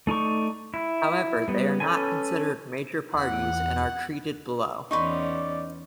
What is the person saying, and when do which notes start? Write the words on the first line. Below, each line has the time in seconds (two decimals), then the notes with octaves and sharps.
However, they are not considered major parties, and are treated below.
0.07 A3 D#4 D5 C#6
0.74 E4
1.48 G3 B3
1.80 C#4 A4 B4 G#5
3.14 E2 F#5
4.91 E2 E3 C#4 D#4 B4 D5 C6 C#6